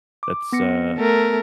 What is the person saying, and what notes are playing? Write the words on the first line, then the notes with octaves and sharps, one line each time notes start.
that's uh,
D6
B3 A#6 C#7
A3 A#4